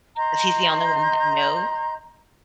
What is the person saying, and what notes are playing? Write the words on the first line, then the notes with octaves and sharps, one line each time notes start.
'cause he's the only one that knows,
D#5 A#5 C6 G6